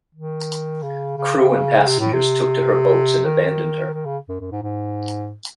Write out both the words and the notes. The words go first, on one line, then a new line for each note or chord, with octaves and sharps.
Crew and passengers took to her boats and abandoned her.
D#3
C#3
C#3
C3
A2
C3
D#3
D#3
C#3
F#2
F#2
G#2
G#2